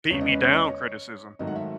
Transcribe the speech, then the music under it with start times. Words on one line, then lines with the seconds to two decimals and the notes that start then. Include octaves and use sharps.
beat-me-down criticism.
0.10 E2 C#3 G#3 C#4 C#5
0.21 D#5
0.32 B4
0.43 C#5
0.53 D#5
0.64 C#5
1.39 G#2 D#3 F#3 A3 D#5
1.47 F#5
1.56 E5